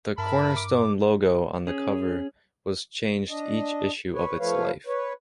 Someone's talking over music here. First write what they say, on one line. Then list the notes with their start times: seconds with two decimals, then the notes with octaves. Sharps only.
The "Cornerstone" logo on the cover was changed each issue of its life.
0.18 G2 A#4 E5 A5 B5
0.56 D6
1.67 C#4 G#4
3.30 D4 D#5
4.13 B4 C#5
4.39 F3 A3 B4 C#5 F5
4.87 B4 C#5